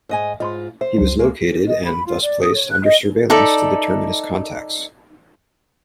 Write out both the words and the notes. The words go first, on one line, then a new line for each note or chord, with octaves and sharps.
He was located and thus placed under surveillance to determine his contacts.
G#2 D#5 G#5
G#2 F4 D#5 B5 C6
C5 E5
C#2 F#3
G#3 A#3
D#5
B5
F4
D5
D#6
C#5
F#6
D#5
D#4 A4 D5 E5